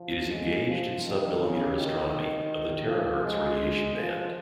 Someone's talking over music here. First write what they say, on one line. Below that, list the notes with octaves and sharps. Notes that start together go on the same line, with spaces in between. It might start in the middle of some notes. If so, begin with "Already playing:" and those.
It is engaged in submillimetre astronomy, of the terahertz radiation band.
Already playing: F3
G#3
F3
D#3
C#3
D#3
D#3
F3
G#3
F3